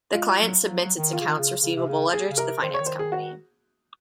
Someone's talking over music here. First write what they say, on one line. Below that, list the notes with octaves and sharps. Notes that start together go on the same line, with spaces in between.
The client submits its accounts receivable ledger to the finance company.
G#3 F4
F#3
F#3
F#3
D#3
D#3 F4
C#3
D#3
C#3
C#3
C3
C#3
G#4
C#3
C3 A#4
D#3 C5
C#3 C#5
D#3
C5
G#4
F#4